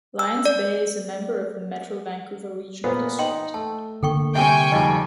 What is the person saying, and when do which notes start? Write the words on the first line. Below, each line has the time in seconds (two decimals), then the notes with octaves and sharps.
Lions Bay is a member of the Metro Vancouver Regional District.
0.19 E6
0.45 D5
2.84 A#2 B3 C5
3.19 D#4 G5 C6
3.54 A3 A5
4.03 D3 A#3 A4 G5 C#6
4.35 C3 G3 E5 G5 G#5 C#6
4.72 F2 G#2 G3 D#5